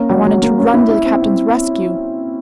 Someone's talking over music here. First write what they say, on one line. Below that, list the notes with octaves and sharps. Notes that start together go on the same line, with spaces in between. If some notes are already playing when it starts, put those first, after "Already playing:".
I wanted to run to the captain's rescue.
Already playing: A#3 C#4
F#3
F#3
A#3
C#4
E4
E4
C4
C4